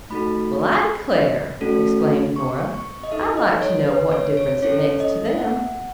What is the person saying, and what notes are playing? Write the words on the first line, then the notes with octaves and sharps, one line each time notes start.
"Well, I declare," exclaimed Nora, "I'd like to know what difference it makes to them."
A3 D#4 F#4 A4 B5
A3 C#4 F#4 A4
C#6
C#6
D#5
D#4 A4 E5
D#5
C#5
B4
C#5
C#5
C#4 E4 A4 C#5
D#5
E5
F#5